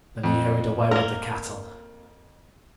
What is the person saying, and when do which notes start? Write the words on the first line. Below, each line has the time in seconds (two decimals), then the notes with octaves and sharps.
Then he hurried away with the cattle.
0.24 F2
0.91 A#3 A#4